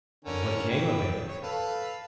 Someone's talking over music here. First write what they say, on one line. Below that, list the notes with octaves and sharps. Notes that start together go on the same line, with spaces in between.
"And what came of it?"
D3 C#4 A#4
B4 G5
C#5
A4 B4 F5